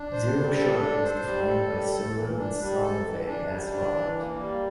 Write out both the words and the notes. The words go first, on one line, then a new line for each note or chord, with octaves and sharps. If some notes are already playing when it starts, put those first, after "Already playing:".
Zero sharp was defined by Silver and Solovay as follows.
Already playing: D4
C5
G3
A4
D4
C5
G3
A4
G3
A4
E3
D4
G3
A4
E3
D4
G3
D4
E3
A#3
G3